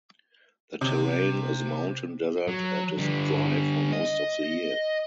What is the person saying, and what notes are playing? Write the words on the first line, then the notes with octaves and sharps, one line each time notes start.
The terrain is mountain desert and is dry for most of the year.
C3
F#3
D3 G3
D#5